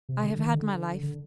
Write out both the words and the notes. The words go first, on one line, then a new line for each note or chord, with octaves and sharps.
I have had my life.
C3
D3
D#3
D3
D3